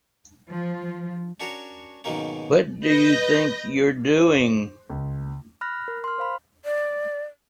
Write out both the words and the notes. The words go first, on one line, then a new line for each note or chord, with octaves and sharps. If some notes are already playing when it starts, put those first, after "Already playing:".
What do you think you're doing?
F3
C#4 D4 F#4 A#4 C#5
G#2 B2 D#3 F#3 A#3 C#4
B4 D#5 G6 A#6
C5
C#2
B5 F6 F#6 A#6
A#4
C6 F6
C5 F5 B5
D5